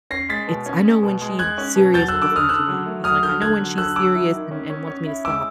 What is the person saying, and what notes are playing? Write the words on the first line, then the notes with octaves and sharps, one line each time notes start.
it's I know when she's serious" referring to me- he's, like, "I know when she's serious and and wants me to stop."
C#4 A#6 C7
G#3 A6 B6
B2
C#4
G#3
B2
G#3
G#3 F#6 G#6
C#4
B2
F#3 G6 A6
E6 F#6
D3
D6 E6
D3 D#6 F6
D3 E6 F#6
F#3
A3
F#3 D#6 F6
D3 F6 G6
D3 F#6 G#6
F#3
D3 E6 F#6
F#3 D6 E6
E4
D#3
C#4
C#4
C#4
E4
G#3 D6 E6